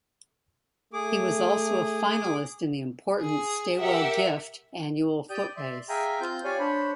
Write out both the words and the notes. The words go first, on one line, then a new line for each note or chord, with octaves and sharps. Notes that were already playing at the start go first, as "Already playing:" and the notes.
He was also a finalist in the important Stawell Gift annual foot race.
A3 G#4 D6
G#4
G4 A#4 E5 F#5
G4 D5 G5 D#6 G6
D5 E5 C6
G#4 E5 F5 G5 G#5 A#5
C4 F4 G6
G4 C#5 D5 F5 G#5
D4 C5 C#5 B5